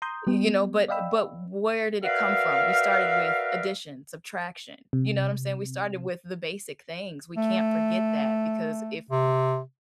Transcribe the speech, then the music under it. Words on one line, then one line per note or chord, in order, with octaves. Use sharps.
you know, but but where did it come from? We started with addition, subtraction. You know what I'm saying? We started with the basic things. We can't forget that because if w
A#5 C6 D#6 G6
G3 B3 G4
D5 D#5 F5 G5 B5 E6
F#4 A#4 B4 D5 E5 F5
C3
A3
C3